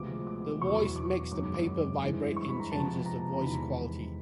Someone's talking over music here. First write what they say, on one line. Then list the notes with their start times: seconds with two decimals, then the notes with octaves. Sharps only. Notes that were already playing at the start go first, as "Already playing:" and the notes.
The voice makes the paper vibrate and changes the voice quality.
Already playing: D2 C3 F3 G#3 B3 D6
0.27 D6
0.62 E2 B2 F#3 B3 C#6
0.96 D6
1.32 F#2 D#3 G#3 D6
1.43 D6
1.54 D6
2.02 G2 E3 G#3 C4
2.37 C#6
2.48 B5
2.60 A#5
2.71 F2 C3 F3 G#3 B3 A5
3.06 A#5
3.33 A#5
3.41 E2 C3 D#3 G#3 B5